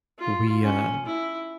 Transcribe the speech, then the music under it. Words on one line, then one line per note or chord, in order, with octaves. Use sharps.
we, um
F4
C#4
E4